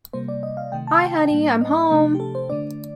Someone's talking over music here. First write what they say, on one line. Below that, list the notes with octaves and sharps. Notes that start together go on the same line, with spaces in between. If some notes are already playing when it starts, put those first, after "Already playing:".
Hi Honey, I'm Home!
C3 G3 A#3 C5
D5
D#5
F5
C3 D#3 A3 G5
A5
G5
A2 G3 A#3 D4
D#5
C3 F3 A3 D4
G4
A4
C5
D3 A3 D4 D5